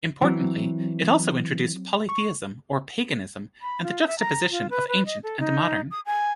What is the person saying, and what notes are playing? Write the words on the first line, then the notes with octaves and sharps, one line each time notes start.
Importantly it also introduced Polytheism, or "paganism", and the juxtaposition of ancient and modern.
E3 F#3 C4
C#6
B5
F4
E5
A#5
F4
B4
B4
D#5
A4
D#4
D#6
G#5